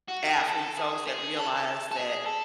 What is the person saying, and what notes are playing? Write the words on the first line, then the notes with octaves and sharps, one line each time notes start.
athletes those that realize that
F#4
G#4
A4
G#4
G#4
A4
A4
G#4
A4